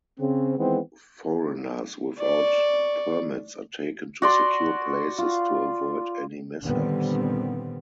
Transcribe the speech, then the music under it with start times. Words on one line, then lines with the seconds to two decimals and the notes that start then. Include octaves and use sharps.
Foreigners without permits are taken to secure places to avoid any mishaps.
0.20 C#3 C4
0.58 D#3 E3 G#3 B3 C4
2.19 D5 C#6
4.22 F#4 D5 C6
5.18 F4
6.62 A#2 D3 D#3 G3 B3 C4